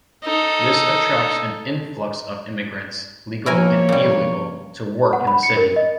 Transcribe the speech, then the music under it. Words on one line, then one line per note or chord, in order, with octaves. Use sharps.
This attracts an influx of immigrants, legal and illegal, to work in the city.
D#4 A4
F3 A#3 E4 A#4 C#5 G#5
C#3 G3
F#5
B5
C#7
A#4
D#5